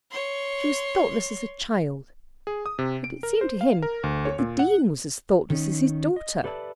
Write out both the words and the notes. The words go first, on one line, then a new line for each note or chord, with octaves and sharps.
She was thoughtless as a child;--but it seemed to him that the Dean was as thoughtless as his daughter.
C#5 C6
G#4
D#6
C3
D7
A#4
C5
F5
A#4
D2
C#5
A#2
F#5
D#3 C#4 D#4
D#5
G4 A4 B4 D5 E5 A5